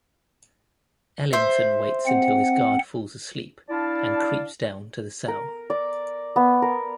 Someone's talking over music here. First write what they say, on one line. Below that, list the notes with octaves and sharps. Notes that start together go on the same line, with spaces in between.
Ellington waits until his guard falls asleep and creeps down to the cell.
C5 E5
C4 F#5
D4 E4 D5 F5 A5
A#4
D5
B3
A#4